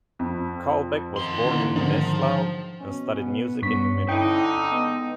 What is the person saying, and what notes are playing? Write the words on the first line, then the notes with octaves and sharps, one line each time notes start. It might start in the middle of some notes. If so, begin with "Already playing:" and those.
Kalbeck was born in Breslau and studied music in Munich.
F2
D#3 C6
D3 E3 A#3
G#2 D3 D#3 F3
B2 C#4
B3
G2 B3 C#4 C#6 B6
D3 D#4 E4 G5
G#3 B3